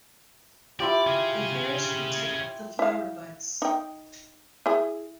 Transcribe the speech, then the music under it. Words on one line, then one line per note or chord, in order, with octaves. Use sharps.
The hairs protect the flower buds.
E4 F4 G4 D5
C#4 G#4
E4 F5
D#4 G5
E4 G#4